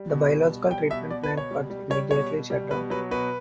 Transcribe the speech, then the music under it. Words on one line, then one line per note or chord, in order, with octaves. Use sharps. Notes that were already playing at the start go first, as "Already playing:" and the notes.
The biological treatment plant was immediately shut down.
Already playing: G3
B2
G3
B2
G3 G5
B2 E5
B2 D5
B4
B2
C#5
G3
G3
G3 C#5
B2 C#5
B2
G3
B2 B4
F#3 B4
B2 B4